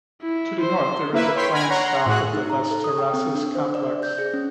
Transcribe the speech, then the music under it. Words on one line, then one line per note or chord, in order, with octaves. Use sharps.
To the north, there is a planned stop at the Les Terrasses Complex.
E4
C5
A#3 E4 B4 E5
C#5 G5 C6 B6
G#5 B5 F6 G#6 A#6 D7
C#5 F#5 A#5 C6
A2 F#4 G#4 F#6
D#4
A#5
A4
D#6
G5
C4
D4
C5
D5
G6
G#4
C#4